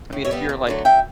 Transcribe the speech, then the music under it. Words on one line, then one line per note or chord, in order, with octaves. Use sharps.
I mean, if you're like
A2
C#5 E5
G3 B3
E2
D3 F#3 A3
D2 E5 G5